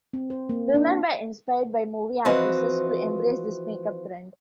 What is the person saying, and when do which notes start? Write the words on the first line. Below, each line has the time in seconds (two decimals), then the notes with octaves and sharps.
Women were inspired by movie actresses to embrace this makeup trend.
0.13 C4
0.30 C5
0.49 A#3
0.74 D4
0.87 E4
2.25 E3 F3 C4 F#4 B4 D#5